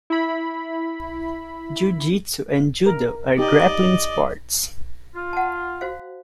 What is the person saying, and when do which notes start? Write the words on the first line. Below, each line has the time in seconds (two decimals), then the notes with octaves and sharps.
Jujitsu and Judo are grappling sports.
0.10 E4 B5
2.86 A#4
3.39 D#4 G4 D5 D#5
5.16 F4
5.33 F#5 A5
5.81 F#4 C5 F5